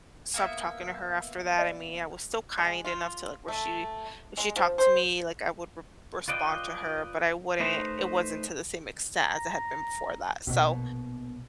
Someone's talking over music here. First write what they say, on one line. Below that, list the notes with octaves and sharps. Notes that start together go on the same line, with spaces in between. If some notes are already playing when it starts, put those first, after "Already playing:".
stopped talking to her after that, I mean, I was still kind enough to like where she if she talked to me, like I would r respond to her, but I wouldn't it wasn't to the same extent as it had been before that, so
A#3 B3 E5
D5
G#3
F4
A3
G#3
F3
C5
F4 B4 D5 D#5 G5
A3 D#4 B4 C5
A#5
A#1 B2